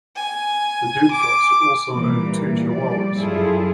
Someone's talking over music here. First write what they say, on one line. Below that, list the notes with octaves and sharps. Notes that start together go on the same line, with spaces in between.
The Dudikoffs also own two chihuahuas.
G#5
D6
A#2 E3 G3 A#3
F3 G3 D5
F#2 E4 F4 G#4 A4